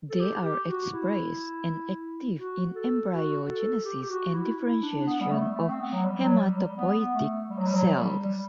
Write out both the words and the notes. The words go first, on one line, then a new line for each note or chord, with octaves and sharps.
They are expressed and active in embryogenesis and differentiation of hematopoietic cells.
A4
G4
G4
F#4
E4
F#4
A4
F#4
A4
G4
G4
F#4
F#4
E4
E4
D4
B3
G3
A3
A3
C4
B3
F#3
G3
F#3
G3
G3
B3
A3
G3
F#3
G3
F#3
G3
G3